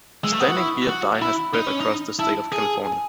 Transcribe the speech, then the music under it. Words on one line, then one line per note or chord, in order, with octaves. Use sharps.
Standing beer die has spread across the state of California.
G#3 E6
A3
B3 D#6
F#4
E4 C#6
F#4
E4 B5
D#4
C#4
D#4
E4 A5
G#4
G#5